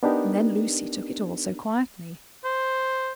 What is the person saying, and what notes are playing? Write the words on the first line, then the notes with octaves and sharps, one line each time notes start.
And then Lucy took it all so quietly.
B3 D4 D#4 G4 A#4
C5